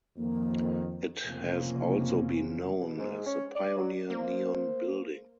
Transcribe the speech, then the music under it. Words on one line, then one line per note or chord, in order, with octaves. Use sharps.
It has also been known as the Pioneer Neon Building.
F2 D#3 A#3
F1 C#3 F3 A#3 C4 C#4
B2
G#2
C#4
D5
F#3
A#3 C5